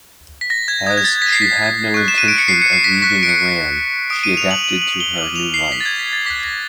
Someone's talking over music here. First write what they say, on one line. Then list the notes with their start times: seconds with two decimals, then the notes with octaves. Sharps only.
As she had no intention of leaving Iran, she adapted to her new life.
0.41 B6
0.50 A#6
0.68 G#6
0.86 D#6 F#6 G#6
0.97 G#6
1.04 A6
1.22 B6
1.33 C7
1.42 B6
1.94 C#6 F#6
2.08 E7
2.18 D#7
2.28 D7
2.38 C#7
2.48 C7
2.62 C#7
2.73 C7
2.84 B6
3.02 C#6 F#6 B6
3.23 D7
3.29 C#7
4.10 D#6 F#6 D7
4.24 D#7
4.37 F7
4.51 F#7
4.64 F#7
4.82 F#7
5.00 G7
5.18 D6 F6 F#7
5.36 F7
5.54 C7
5.72 B6
5.80 A6
5.86 G#6
5.99 B6
6.13 A6
6.26 D6 B6
6.30 F#6
6.44 A#6